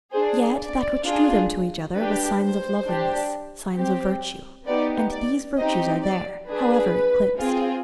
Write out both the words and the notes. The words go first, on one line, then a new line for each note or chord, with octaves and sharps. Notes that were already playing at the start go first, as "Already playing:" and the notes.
Yet that which drew them to each other was signs of loveliness, signs of virtue; and these virtues are there, however eclipsed.
D4 G#4 C5
D5
D4 F4 G#4
D4 G4 B4
C5
D4 G4
C4 G4
B3 D#4 G4 D5
D5
C4 D#4 G4 D#5
D5
D4 G#4 B4
C4 F4 G#4